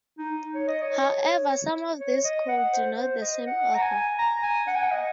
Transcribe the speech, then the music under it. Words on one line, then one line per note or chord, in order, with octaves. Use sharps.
However some of these could denote the same author.
D#4
C#5
D#5
C#5
C#5
D#5
F#5
C5
C5
D#5
F#5
A#5
G#5
A#5
G#5
F#5
G#5
F#5
D#5